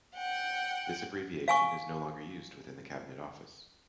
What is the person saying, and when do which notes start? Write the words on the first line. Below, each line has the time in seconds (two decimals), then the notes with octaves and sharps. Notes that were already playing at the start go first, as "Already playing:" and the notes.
This abbreviation is no longer used within the Cabinet Office.
0.16 F#5 G5
1.48 F5 G#5 C#6